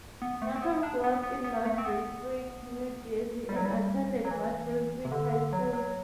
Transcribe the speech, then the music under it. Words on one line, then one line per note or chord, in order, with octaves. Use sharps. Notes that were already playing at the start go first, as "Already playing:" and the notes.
Norton grew up in North Brunswick, New Jersey, and attended North Brunswick High School.
B3
A3
C4
B3
D4
B3
B3
B3
A3
C4
B3
G3
F#3
G3
F#3
E3
C3
D3
D3
F#3
F#3